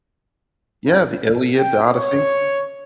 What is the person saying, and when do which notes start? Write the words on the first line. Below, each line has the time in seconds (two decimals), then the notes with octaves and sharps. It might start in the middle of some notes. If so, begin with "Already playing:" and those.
Yeah, the Iliad, the Odyssey.
1.55 G5
1.94 C#5